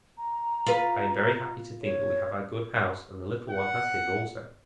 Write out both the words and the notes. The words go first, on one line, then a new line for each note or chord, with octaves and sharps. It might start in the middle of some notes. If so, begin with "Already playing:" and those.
I am very happy to think that we have our good house, and the little one has his also!
A#5
F4 B4
C#5
F#5